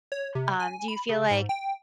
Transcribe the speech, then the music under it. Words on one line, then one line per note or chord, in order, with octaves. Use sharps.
um Do you feel like
C#5
C3
G#5
B5
C#3
G#2
G5